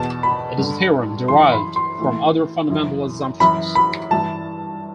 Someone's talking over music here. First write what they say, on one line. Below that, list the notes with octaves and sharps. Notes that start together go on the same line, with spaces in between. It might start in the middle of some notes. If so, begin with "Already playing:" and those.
It is a theorem, derived from other fundamental assumptions.
Already playing: E2 B2 A5
B5
G2 D3
F#2 E3 C6
B5
C6
A2 E3
F#2 E3
F#2 E3 B5
B5
G2 E3 A5